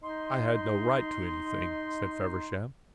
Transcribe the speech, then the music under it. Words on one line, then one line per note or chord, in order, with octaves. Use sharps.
"I had no right to anything," said Feversham.
D#4 C6